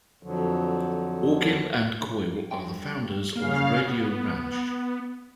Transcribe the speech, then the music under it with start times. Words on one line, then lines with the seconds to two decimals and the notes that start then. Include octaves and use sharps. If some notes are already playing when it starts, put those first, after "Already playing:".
Orkin and Coyle are the founders of Radio Ranch.
0.23 F2 D3 F3 F#3
2.51 G3 D4 G5
3.36 C#3 A#3 F5
3.88 B3